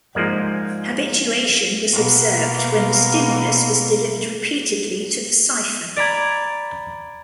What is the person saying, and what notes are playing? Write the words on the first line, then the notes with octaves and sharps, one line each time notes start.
Habituation was observed when the stimulus was delivered repeatedly to the siphon.
G#2 F3 G#3 A#3 D5
B2 A#3
D5 A#5 B5 G#6